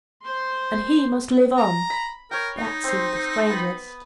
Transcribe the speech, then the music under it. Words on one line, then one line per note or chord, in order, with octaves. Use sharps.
And he must live on; that seemed the strangest.
C5 C6
A#5
B5
A#4 C#5 G5
D#4
C4 C6
B3 B5